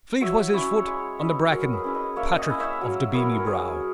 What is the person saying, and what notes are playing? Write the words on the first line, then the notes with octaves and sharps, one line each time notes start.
Fleet was his foot on the bracken: Patrick of the beamy brow.
F#3 C#5 E5
C#4 E4 C#5 E5
F#5
G#3 C#5 E5
C#4 E4 B4 D#5
F#3 A#4 C#5
G#4 B4
C#4 E4
B4 D#5
A#3 C#5 E5
D#5 F#5
C#4 E4
C#5 E5
F#3
B3 E4 A#4 C#5
A#4
F#3 G#4